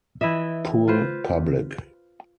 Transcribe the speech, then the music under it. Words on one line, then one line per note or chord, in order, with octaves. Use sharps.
Poor public!
E3 E4 D#5 E5
F4 B4 C5